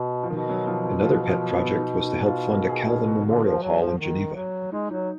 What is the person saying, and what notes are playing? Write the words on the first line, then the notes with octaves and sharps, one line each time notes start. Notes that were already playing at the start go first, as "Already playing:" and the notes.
Another pet project was to help fund a Calvin memorial hall in Geneva.
Already playing: B2
F3
B2 D#3
F#3
F3
F3
F3
F3
B3
D#4
D#4
F4
A#4
G#4
G#4
F#4
D3
F3
F#3
F3
D#3
F#3
G#3 D#4
F#3 D#4